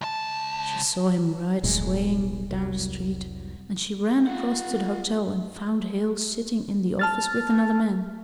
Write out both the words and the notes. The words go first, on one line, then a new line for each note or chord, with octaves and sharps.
She saw him ride swaying down the street and she ran across to the hotel and found Hale sitting in the office with another man.
C#2 A5
D#1 B1 A2 G#3
F1 C2 F#3
F4 F#5
A5 F6 A6